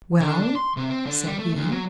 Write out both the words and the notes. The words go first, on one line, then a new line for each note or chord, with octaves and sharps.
"Well?" said he.
D3
D4
C6
C3
C4
D3
G3
A3
D2
F#3